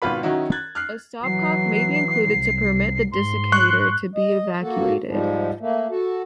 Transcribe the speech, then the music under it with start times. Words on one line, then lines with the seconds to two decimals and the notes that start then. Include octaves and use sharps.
A stopcock may be included to permit the desiccator to be evacuated.
0.02 G#1 B2 F4 B4 B5
0.23 D#3 F#3 C#4 D#4 E4 F#4
0.52 F#6 G#6 A6
0.75 F6 F#6 C7
1.23 E3 F#3 C7
2.32 C2
3.12 G#2 C6
3.52 C#6 F#6
4.15 D#5
4.62 A#3 F#4 A4
5.07 G#2 F3 G3
5.60 A3 A#3
5.90 F#4 A4